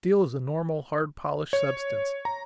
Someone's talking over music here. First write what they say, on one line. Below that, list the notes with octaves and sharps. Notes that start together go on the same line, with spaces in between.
Steel is a normal, hard, polished substance.
C#5
A#5